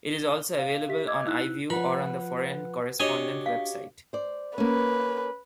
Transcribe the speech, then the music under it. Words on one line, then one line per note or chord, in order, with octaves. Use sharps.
It is also available on "iView" or on the "Foreign Correspondent" website.
G7
F5
G4 E5 B6
D#5 D6 E6 G#6
D#4 E4 E6 F#6
F3 F4 B4 F#5 B5
D4 F#4 G4 C#5 D#5 G#5 D6
F5
C5 D5
A#3 C#4 B4